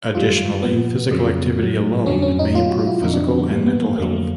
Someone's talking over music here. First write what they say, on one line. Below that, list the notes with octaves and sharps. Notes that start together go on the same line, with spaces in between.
Additionally, physical activity alone may improve physical and mental health.
F#2 D#3 G3 F4
A#2 F3 B3
F2 C#3 F#3
A2 F#3
F2 D3 F#3 C#4
C#4
D#4
B2 F#3 F4
F#4
F4
E4
F2 D3 F3 D#4
D4
C4
B3
A2 E3 G3 A#3
B3
A#3
F2 D3 F#3 A#3
A3